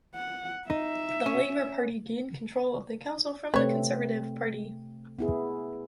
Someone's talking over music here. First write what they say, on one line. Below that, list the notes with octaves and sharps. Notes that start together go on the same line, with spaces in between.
The Labour Party gained control of the council from the Conservative Party.
F#5
D#4 E5
C#4
C3 A3 C4 B4 C#5
B3 E4 G#4